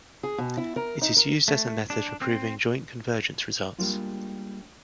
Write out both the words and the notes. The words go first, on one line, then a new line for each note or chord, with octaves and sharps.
It is used as a method for proving joint convergence results.
G#4
B2
E4
A#4
D#4
A#4
A3
D4
C4
G3 G#3 A#3 D4 F4